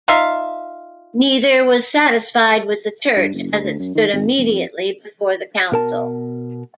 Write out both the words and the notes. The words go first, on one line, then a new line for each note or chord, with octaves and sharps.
Neither was satisfied with the Church as it stood immediately before the Council.
D#4 F4 E5 F5
G2
F#1
D2
D2
F#2
D#3
G#1
E1
F2
B2 A#4 A5